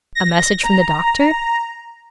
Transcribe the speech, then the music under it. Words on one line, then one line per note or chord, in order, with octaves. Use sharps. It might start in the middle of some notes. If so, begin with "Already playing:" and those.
'A message from the doctor?'
A#6
A#5